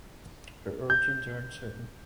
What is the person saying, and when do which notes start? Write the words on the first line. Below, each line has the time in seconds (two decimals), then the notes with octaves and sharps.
Her origins are uncertain.
0.90 G6